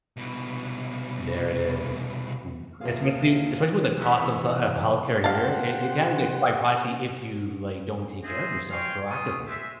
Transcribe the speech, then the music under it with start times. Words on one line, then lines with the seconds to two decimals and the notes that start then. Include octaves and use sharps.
N there it is, um, especially especially with the costs of s of health care here, it it can get quite pricey if you, like, don't take care of yourself proactively.
0.17 C2 B2
2.81 D#2 A#3 F4 G#4 E5 F5
3.99 C3 E3 C5 E5 F#5
5.24 G4 C5 F5 F#5 A5
8.24 F4 G#4 C5 D#5 E5
8.71 C#5 F5 G5 G#5 C6
9.07 G#3 A3 F4 C#6 D#6
9.47 G#3 C5 E5